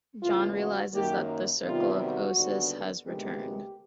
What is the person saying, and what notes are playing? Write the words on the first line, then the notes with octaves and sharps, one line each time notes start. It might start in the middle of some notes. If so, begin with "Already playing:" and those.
John realizes that the Circle of Ossus has returned.
E2 C#3 E3 A3 F4
F#4
F#2 D#3 F#3 A#3 G4
C3 D#3 G3 B3 F4
F#4
D#2 D3 G3 B3
D2 C3 D#3 G#3 B3 G4